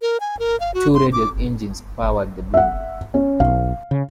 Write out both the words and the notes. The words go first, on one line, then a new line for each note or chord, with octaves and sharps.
Two radial engines powered the blimp.
A#4
G#5
A#4
F5
F#4
C6
D6
E5 F#5
C#4
B1 F5
C#3